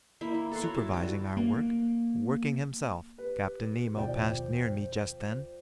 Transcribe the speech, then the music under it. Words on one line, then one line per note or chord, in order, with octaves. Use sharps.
Supervising our work, working himself, Captain Nemo passed near me just then.
A#3 E4 E5
E4
A4 F#5 C6
E4 F#4 C#5
A5
G3 F#4
A#3
G4 B4
D#2 B2 F3 C5 D5 G5